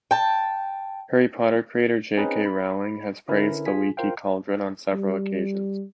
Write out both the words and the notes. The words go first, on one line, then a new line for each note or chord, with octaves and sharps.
Harry Potter creator J. K. Rowling has praised The Leaky Cauldron on several occasions.
G5 A5
C4 C#4 D#4 G#4 B4
B5
D3 C#4 E4 A#4 B4
F4 G#4 G#5 B6
F4 A#4 C5 F5 G5
G3